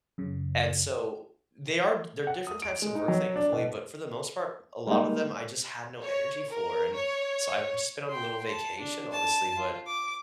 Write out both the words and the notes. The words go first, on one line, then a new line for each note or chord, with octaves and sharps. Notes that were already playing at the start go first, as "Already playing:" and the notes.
And so they are they're different types of work, thankfully. But for the most part, a lot of them, I just had no energy for. And so I've just been on a little vacation, honestly, but
F#2 C#3
F#5
D#6
D7
G#3
D#4
F#3
D4
B2
G3 G#3 A#3 D#4
C#5
A#4
C#5
G5 C6
A5
D4
A5
F4
D6